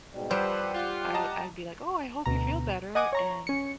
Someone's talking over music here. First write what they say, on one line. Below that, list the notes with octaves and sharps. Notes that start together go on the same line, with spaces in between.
I I'd be, like, "Oh, I hope you feel better." And
G#2 B2 G3
F3 G3 G4 A4 B4 C5 F#5
F4
D#5 A5 A#5
D2 B2 A#5
D#5 F#5 G#5 D6 D#6
C#5 A#5 C#6
C#4 C#7